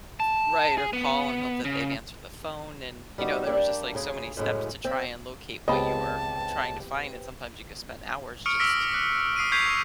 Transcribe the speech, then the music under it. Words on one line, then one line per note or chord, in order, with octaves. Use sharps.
T Right, or call and hope that they'd answer the phone, and, you know, there was just, like, so, many steps to try and locate what you were trying to find, and sometimes you could spend hours just
A5
G#4
B3
C#3
G3 B3 D#4 F#4 G4
G3 A#3 D4 G4
D2 C#3 G#4
F#2 A2 C#3 G#3
C4 E5
C#2 B3 C4 G4 D#5 A5 B5
C#6 D#6 F6 C#7 D7
D6 E6 F6 A#6 B6 D7
D6 F#6
D#6 C7 D7 D#7
C#6 G6 G#6 B6 C7 F7
C#6